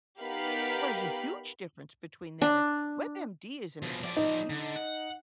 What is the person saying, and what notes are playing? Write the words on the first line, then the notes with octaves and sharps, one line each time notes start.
Well, there's a huge difference between that and WebMD is an encyclopedia.
B3 D#4 G4 A#4 F5 B5
D4
B2 F3
F3 D5
D#4
D3
F#5